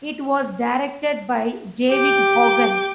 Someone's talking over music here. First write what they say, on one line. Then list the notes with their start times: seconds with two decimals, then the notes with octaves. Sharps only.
It was directed by David Hogan.
1.90 G4 G5 D6 G6